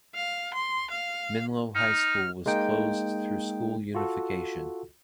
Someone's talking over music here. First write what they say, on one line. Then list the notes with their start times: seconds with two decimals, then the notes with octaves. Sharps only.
Menlo High School was closed through school unification.
0.15 F5
0.54 C6
0.91 F5
1.75 D#4 F6
2.46 G#3 A#3 D#4 G5
3.95 F4 F#4 A4